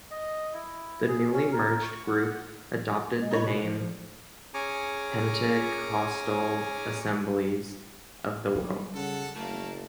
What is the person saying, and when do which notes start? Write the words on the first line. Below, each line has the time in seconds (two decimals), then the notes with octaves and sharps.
The newly merged group adopted the name Pentecostal Assemblies of the World.
0.11 D#5
0.54 E4
1.08 G#4
1.32 C#4
1.52 A#4
1.82 C#6
2.07 F#5
3.18 G#3
3.31 D#4 C#5 B5
3.44 B2 D4
3.62 F3
3.79 F3
4.54 C#4 G#4 G#5 A#5 C#6 D6
8.55 F#3 G3
8.95 C#3 A4 F#5
9.35 F#1 A3 A#3 A5